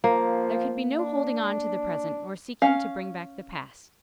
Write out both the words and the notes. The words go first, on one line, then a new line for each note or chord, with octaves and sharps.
There can be no holding on to the present nor seeking to bring back the past.
F3 A#3
D4
C#4 F5